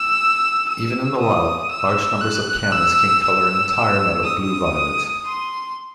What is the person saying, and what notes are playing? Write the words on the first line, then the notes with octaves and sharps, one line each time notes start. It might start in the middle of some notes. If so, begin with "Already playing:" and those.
Even in the wild, large numbers of camas can color an entire meadow blue-violet.
Already playing: E6
E6
D#6
E6
F#6
E6
E6
D#6
C6